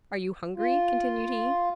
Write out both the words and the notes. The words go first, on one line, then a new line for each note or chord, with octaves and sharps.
"Are you hungry?" continued he.
F4